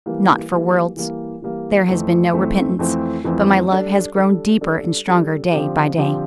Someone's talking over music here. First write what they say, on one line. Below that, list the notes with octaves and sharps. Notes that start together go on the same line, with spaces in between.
"Not for worlds: there has been no repentance, but my love has grown deeper and stronger day by day."
E3 G3 A#3
E3 G3 A#3
E3 G3 A#3
E3 G3 A#3
F2 E3 A3 C4
F2 E3 A3 C4
F2 E3 A3 C4
F2 E3 A3 C4
G3 D4 A4
G3 D4 A4
G3 D4 A4
G3 D4 A4
D3 F3 C4 G4
D3 F3 C4 G4